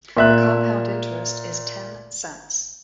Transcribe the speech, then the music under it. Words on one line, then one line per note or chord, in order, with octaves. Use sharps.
The compound interest is ten cents.
A#2 E5 F#6